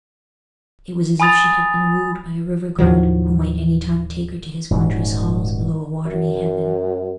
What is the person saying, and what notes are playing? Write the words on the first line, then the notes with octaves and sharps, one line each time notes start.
It was as if she had been wooed by a river-god, who might any time take her to his wondrous halls below a watery heaven.
G#5 B5 D#6 A6 F7
D#2 A2 F3 F#3
D#1 G#2 F#3
F#2